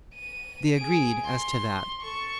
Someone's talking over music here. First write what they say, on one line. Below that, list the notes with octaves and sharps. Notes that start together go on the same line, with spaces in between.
They agreed as to that.
D#7
G#4 D7
C6
A4 C#6